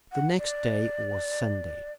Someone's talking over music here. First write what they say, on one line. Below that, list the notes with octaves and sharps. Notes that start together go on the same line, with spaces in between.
The next day was Sunday.
F#5
D5